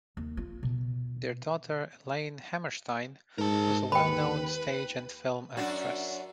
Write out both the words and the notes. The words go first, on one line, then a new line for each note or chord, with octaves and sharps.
Their daughter Elaine Hammerstein was a well-known stage and film actress.
D#2
F4
B2
G#2 A#4 A5
D#2 B4 G5 B5
F#2 D4 F#4